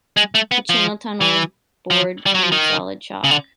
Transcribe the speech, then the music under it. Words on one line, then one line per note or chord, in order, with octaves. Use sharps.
The Channel Tunnel was bored through solid chalk.
G#3
A3
B3
F3
E3
F3
G3
F#3
F3
D#3
C#3
D3